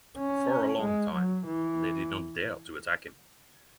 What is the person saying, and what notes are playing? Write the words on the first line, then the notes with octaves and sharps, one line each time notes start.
For a long time, they did not dare to attack him.
C#4
G#3
F#3
E3